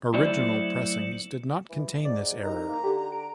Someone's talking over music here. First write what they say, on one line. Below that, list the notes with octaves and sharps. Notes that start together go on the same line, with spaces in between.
Original pressings did not contain this error.
F#3 A3 E4 C5 D5
E3
G#2 D5
C2 D#4 A#5
A#3
D3 G4
D7